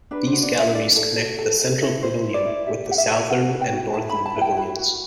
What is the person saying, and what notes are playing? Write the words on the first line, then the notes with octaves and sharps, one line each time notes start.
These galleries connect the central pavilion with the southern and northern pavilions.
D4 B4
C5
F#4
D5
D4
E5
A4 D5
A4
F#4
A4
A4
E4
E4 C5
E4
D5
E4
G4 E5
G4 F#5
E5
E4
F#4 F#5
B4
G5
F#4
E4 A5
B5
E4
A5
E4
G5
F#4 B5
F#4